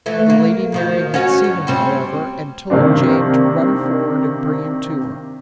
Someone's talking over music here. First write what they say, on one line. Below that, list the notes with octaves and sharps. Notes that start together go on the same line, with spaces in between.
The Lady Mary had seen him, however, and told Jane to run forward and bring him to her.
E3 A3
A#3
F#2 D#3 F3
C#4 F#4 C#5
G2
G3 C4 C#4
C3 D#3 A#3 C4 D4